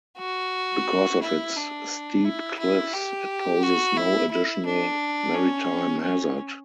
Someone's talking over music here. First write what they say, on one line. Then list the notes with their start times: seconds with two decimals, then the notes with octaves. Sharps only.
Because of its steep cliffs, it poses no additional maritime hazard.
0.18 F#4
1.22 E4
1.56 D4
2.24 E4
2.59 E4
2.93 G4
3.63 F#4
3.96 E4
4.31 E4
4.65 D4
5.34 C#4
6.03 C#4